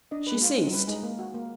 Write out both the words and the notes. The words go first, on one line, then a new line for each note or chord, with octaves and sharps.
She ceased.
D4 D#5
B4
G#3
F4
G#3 D#4
F#3
G3 B4
G#3 D#4
A#3
F#4
A#3